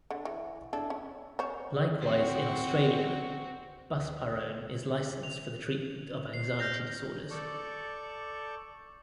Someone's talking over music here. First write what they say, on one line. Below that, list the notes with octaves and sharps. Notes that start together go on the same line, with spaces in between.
Likewise in Australia, buspirone is licensed for the treatment of anxiety disorders.
D3
E3
D4 E4 A4
C#4
C5 C#5
C4 F#4
F7
C7
F6 G6 A#6 F7
A4 D5 A5 C#6 G6